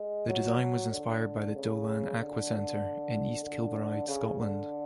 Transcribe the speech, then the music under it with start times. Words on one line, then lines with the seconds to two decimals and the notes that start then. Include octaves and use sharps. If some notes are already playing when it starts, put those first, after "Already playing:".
The design was inspired by the Dollan Aqua Centre in East Kilbride, Scotland.
Already playing: G#3
0.29 F#3
0.92 D3
1.56 C#3
2.18 D3
3.44 D3
4.08 C#3
4.40 D3